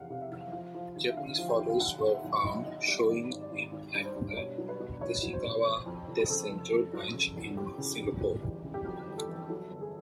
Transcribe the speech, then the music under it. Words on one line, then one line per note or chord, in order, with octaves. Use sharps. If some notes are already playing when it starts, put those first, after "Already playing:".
Japanese photos were found showing it at the Tachikawa test center branch in Singapore.
Already playing: F1 E2 C3 E3 F5 F#5
C3
E5
F1
F3 F5
F3
D#2
E5
D3 F5
F3
G5
D#2
F5
B1 F#5
B1
E5
B1
B1 D#5
B1 D#5
G3 D5
G#1 D5
G#1
D5
G#1
G#1
G2
C5
G2
B2 C#5
F#3
B4
B2
E2 C#5
F#3
C5
B2
F2
F2
F1
C#3 A4
F2
F2
F#3
C#3
E2
E2 G4
C#3
E2
G1
E3
C#3
G4
F2 F#4
G1
A4
E3
F#3 A4
G1
G#4